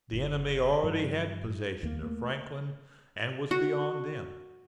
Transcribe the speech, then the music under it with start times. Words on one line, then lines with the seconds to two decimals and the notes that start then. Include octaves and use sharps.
The enemy already had possession of Franklin, and was beyond them.
0.13 F#1
0.83 G2 F3
1.83 D#2 A#3
2.03 A3 A#3
3.51 F#4